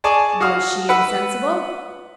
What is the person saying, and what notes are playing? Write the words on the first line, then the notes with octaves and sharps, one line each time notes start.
"Was she insensible?"
G#4 D5 G#5 A5 C#6
F#4 F5 D#6 F6
B4 F#5 B5 E6